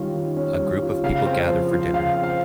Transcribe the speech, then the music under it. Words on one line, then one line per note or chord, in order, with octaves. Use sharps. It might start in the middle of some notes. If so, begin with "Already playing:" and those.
A group of people gather for dinner.
Already playing: D#3 G3 C#4 F4
D#3
C#4
G3
F4
C#3 F5
C4
F3
F4
C#3 F5
C4
F5